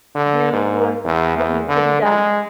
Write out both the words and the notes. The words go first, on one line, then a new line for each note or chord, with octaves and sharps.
do what needs to be done.
D3
G#2
E2
E2
D3
G#3